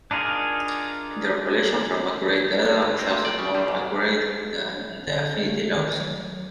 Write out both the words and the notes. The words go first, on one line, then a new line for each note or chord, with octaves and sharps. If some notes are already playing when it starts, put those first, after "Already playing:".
Interpolation from accurate data is also more accurate than the affinity laws.
D4 D#4 F4 G#4 A#4
G1
C4
C3
D5
C#3
G3
G#2
D3
A3
D#3
F#3